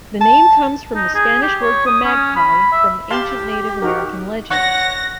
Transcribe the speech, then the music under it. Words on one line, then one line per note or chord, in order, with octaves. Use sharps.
The name comes from the Spanish word for magpie from ancient Native American legends.
A5
D#4
G#4
G4
C#5
D#6
C#4
B5
E5
G4 F5 A5 C6
D#4 F#4 A#4
C#5 F#5 A#6